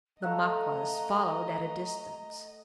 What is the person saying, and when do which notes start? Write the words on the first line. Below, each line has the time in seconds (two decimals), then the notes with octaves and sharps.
The Maquas followed at a distance.
0.22 A3 F#4 A4 D#5 F5 A#5 F#6